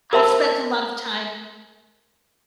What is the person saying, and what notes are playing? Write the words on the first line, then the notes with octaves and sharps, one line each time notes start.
I've spent a lot of time
A#4 C5 E5 A5 B5 E6